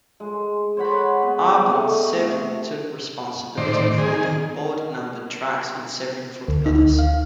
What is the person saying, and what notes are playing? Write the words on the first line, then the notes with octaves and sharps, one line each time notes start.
Arban Severin took responsibility for the odd-numbered tracks and Severin for the others.
G#3
C5 C#5 F#5 B5
B3
A3 D#5 C#6
C3
A2 D#3 C5 D5
D#3 G#4
D2
D#4
D2
F5